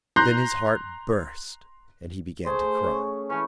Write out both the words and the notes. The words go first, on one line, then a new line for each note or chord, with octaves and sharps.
Then his heart burst, and he began to cry.
A#5 C6 F#6 G6 A#6 C7
A3 G#4 C5
C#4
E3 A3 C#4